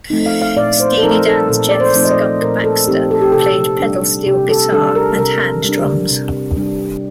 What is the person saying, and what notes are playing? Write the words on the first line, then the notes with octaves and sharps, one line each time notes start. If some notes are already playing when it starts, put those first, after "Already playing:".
Steely Dan's Jeff "Skunk" Baxter played pedal steel guitar and hand drums.
F3 A3 C4 D#4
F5
F5
A#2 D5
C5
A4
F3 A3 C4 D#4 A#4
A4
A#2 A4
D5
C5
F3 A3 C4 D#4
D#5
D5
A#2 A#4
A4
F3 A3 C4 D#4 G4
A4
G4
C3 A4
G3 D4
C3 G4
A4
G3 D4 A4
A#4
C3 A#4
G3 D4
C3
G3 D4